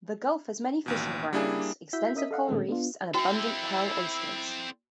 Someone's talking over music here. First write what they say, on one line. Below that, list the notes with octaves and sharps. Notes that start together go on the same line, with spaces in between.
The gulf has many fishing grounds, extensive coral reefs, and abundant pearl oysters.
A1 D#2 B2
G3 A#3 D4 E4 G#4
E4 F#4 E5 G6 B6
C#4 A#4 D#5 E5 D#6 B6
A4 D#5 F5 F#5
A#2 D#3 G#3 C4 C#4 A4
B3 D4 F4
C4 E4 F#4 A4 G5